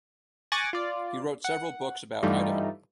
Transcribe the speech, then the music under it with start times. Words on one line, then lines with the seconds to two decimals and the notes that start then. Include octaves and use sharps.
He wrote several books about Idaho.
0.52 G#5 C#6 D6 F#6 A6 A#6
0.73 F4 D5
1.44 F#5
2.23 G2 E3 G3 A3 D#4 F4